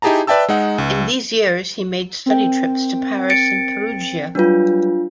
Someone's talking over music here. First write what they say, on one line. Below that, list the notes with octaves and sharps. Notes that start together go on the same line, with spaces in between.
In these years he made study trips to Paris and Perugia.
D#4 E4 G4 G#4 A5 A#5
B4 D5 E5 G5 A5 E6
G#3 D#4 F#5
C#2
C4 A#4 G5
A6 C#7 D7
F#3 G3 D4 F4 B4